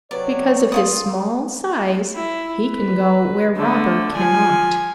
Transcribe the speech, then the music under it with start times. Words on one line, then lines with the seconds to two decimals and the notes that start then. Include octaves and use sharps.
Because of his small size he can go where Robber cannot.
0.11 C3 F#3 B4 C#5 D5
0.72 G2 F4 F#4 D#6
2.15 E4
2.66 B4
3.56 D3 A3
4.14 F3 G#5